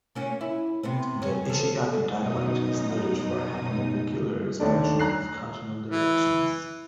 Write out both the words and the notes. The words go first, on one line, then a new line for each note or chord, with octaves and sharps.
The Ishigaki dialect is noted for having a peculiar expression of cardinal directions.
A#3 C#4 F#4
E4
C3 B3 C4
C#4
F3 A4
F#2 B2 D#4 D#6
D#2 A3 D4
A#5 F#6 C7
E3